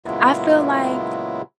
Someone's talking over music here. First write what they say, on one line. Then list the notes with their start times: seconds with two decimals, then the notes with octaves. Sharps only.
I feel like
0.06 A#2 C#3 F#3 G#3 B3 E4